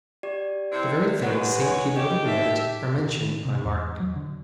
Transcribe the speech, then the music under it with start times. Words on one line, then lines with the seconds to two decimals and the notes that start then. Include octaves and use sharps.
The very things St. Peter would have noticed are mentioned by Mark.
0.23 G4 D5
0.72 C3 C4 E4
1.22 G#2 G#3 G4 B4 C#5 F#5
1.61 C#5 G#5
1.96 G4 D#5
2.25 D#4 E5
2.97 D#3
3.45 C3
3.65 E2
4.00 F#3
4.16 D3